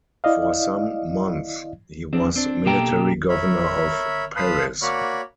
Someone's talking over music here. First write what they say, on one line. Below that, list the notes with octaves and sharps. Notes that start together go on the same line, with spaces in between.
For some months he was military governor of Paris.
E4 D5 D#5 F5
F2 C4 D4
C4 D4
B2 A#3 G4 A4 G5 A#5
A#4 C#5 E5 B5
B4 F5 A5 B5 C6 D#6
A#3 F#4 C#5 D5 B5 C#6